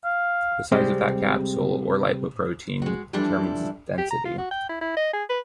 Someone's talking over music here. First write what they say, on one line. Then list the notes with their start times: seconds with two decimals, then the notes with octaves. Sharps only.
The size of that capsule, or lipoprotein, determines its density.
0.05 F5
0.72 C3 G3 G#3 C4
2.82 G#3 F#4
3.13 E3 F3 G3 D4 E4 A4
3.98 G4
4.10 A#5
4.25 F4
4.38 F#4
4.51 G5
4.69 E4
4.81 E4
4.97 D#5
5.13 G#4
5.29 B4